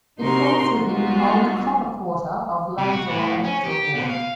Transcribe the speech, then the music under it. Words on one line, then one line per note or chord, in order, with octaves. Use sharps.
It falls within the old copper quarter of Landore electoral ward.
C3 D#4 F#4 A#4 C6
G3 G#3 B3 D#4 F4 F#4
C3
F#4
A2
C#4
G4
B2
F5